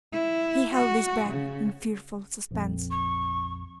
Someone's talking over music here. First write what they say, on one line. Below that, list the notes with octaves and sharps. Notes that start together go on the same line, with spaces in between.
He held his breath in fearful suspense.
E4
F#4
C#3
A#1 F2
C#6